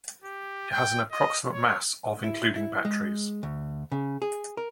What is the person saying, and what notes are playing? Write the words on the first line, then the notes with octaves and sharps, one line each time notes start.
It has an approximate mass of including batteries.
G4
G5
D#5
C#5
E4
E4
G#3
D2
C#3
G#4
A#4